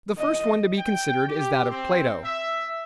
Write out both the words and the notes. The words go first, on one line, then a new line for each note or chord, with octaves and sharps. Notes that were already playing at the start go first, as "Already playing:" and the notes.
The first one to be considered is that of Plato.
D#5
G5
G4
C4
E5